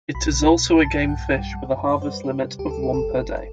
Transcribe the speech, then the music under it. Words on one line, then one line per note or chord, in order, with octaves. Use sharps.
It is also a game fish with a harvest limit of one per day.
B1 B5
B2
B1
B1
G2 A5
G5
G2
F#5
G2
G3
G3
F#2
F#2 D5
C5
G3
B4
G3 G4
C3
D2 G4
A4
G3
G4
G1 A4
G1